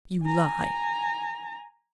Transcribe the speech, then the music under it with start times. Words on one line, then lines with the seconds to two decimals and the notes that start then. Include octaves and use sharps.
"You lie!"
0.23 G#5 A#5